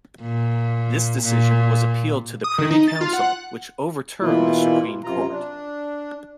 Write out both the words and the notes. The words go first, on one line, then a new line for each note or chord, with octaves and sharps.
This decision was appealed to the Privy Council, which overturned the Supreme Court.
A#2
A#2
D#6
D#3
D#4
A6
F4
F#5
B2 E3 A#3 E4 F4
F#2 C3 F4 A#5
D4